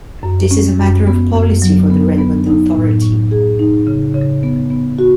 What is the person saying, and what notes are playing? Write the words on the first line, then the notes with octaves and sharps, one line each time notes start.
This is a matter of policy for the relevant authority.
F#2
C#4
F#2
B3
F#2
F#3
B3
B3
D#4
A2
A2
G#4
D#4
C#3
C#3
B3
B3
F#4